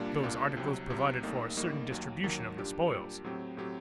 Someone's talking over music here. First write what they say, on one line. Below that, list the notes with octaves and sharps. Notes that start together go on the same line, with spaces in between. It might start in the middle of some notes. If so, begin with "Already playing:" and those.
Those articles provide for a certain distribution of the spoil.
Already playing: C2 A#2 G3 A#3 D4
C2 A#2 G3 A#3 D4
C2 C3 F#3 C4
C2 C3 F#3 C4
A1 A2 G3 A#3 D#4
A1 A2 G3 A#3 D#4
D#2 D#3 F#3 A#3
D#2 D#3 F#3 A#3
A#2 G3 D4 G4
A#2 G3 D4 G4
A2 F#3 C4 G4
A2 F#3 C4 G4